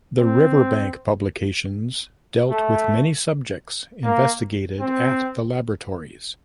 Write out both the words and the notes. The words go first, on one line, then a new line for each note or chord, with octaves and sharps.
The Riverbank Publications dealt with many subjects investigated at the laboratories.
C4
A3
A#3
C4